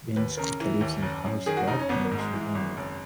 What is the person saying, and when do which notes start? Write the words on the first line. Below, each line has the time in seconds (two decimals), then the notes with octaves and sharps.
Benscoter lives in Harrisburg, Pennsylvania.
0.16 D#2 B4
0.37 C#3 A#4
0.60 E3
0.81 D#2
1.02 F#1
1.25 F#2
1.46 D#3 G#4
1.57 F#4
1.67 F#1 D#4
1.79 C#4
1.89 G#1 B3
2.05 A#3
2.11 G#2
2.18 G#3
2.33 E3
2.55 G#1
2.77 F#1